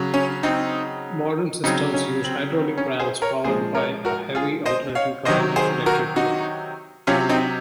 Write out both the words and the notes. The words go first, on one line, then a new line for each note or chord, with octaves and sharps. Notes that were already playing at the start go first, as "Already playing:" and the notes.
Modern systems use hydraulic rams powered by a heavy alternating current electric motor.
Already playing: C#3 F#3
C#4
C4 D#4
C#3 F#3 C4 D#4
C#4
C4
C4
C#4
G#4 C5
A#4 C#5
A#2 F3 G#3 G#4 C5
A#4 C#5
F#4 A#4
F4 G#4
C5 D#5
C#5 F5
C3 D#3 F#3 C5 D#5
G#4 C5
F#4 A#4
D#4 F#4
C3 F#3 C#4 F4
C4 D#4